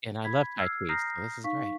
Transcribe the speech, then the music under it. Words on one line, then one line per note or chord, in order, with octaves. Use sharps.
And I love Tai Chi, so this is great.
B5 G#6 B6
E6 F6 G#6 C7
A#5 D#6 F6 G6 A#6 C7
D#4 F5 C#6 B6